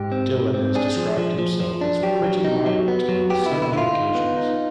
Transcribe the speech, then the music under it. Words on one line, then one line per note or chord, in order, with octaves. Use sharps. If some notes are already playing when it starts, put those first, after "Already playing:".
Dillon has described himself as "pretty moderate" on several occasions.
Already playing: G#2 G4
C4
G#2
C4
D4 G#4
F3
F3
F3
F3
D4
F#3 G4
F#3
D#4
F#3
B3
F#3
B3 G4
E4
D3
E4
D3 E4 F4
D#4
B3
D#4